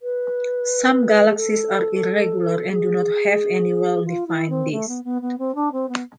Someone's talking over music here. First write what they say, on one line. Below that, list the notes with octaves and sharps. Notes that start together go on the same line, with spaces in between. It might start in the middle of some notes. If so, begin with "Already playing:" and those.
Some galaxies are irregular and do not have any well-defined disk.
B4
G#4
A4
G#4
F4
E4
C4
A3
B3
B3
B3
C4
D4
C4
B3